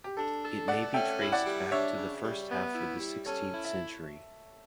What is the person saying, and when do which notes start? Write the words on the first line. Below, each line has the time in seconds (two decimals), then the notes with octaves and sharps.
It may be traced back to the first half of the sixteenth century.
0.04 G4
0.17 D4 A4
0.43 A4
0.68 A3 D5 F#5
0.94 C#4 E5 G5
1.20 E4
1.32 D5 F#5
1.46 G3
1.71 D4 C#5 E5
1.98 C#3
2.23 G3
2.49 B3
2.74 E4
3.00 G3
3.26 C#4 A4 C#5
3.52 E4
3.65 E5